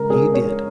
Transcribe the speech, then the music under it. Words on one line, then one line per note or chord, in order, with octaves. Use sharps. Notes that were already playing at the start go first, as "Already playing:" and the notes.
He did.
Already playing: C#3 G#3 A#4
G#4
C#5